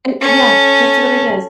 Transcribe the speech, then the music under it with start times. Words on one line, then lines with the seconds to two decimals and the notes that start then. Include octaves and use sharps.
Uh, yeah, that's what it is.
0.22 C#4 A4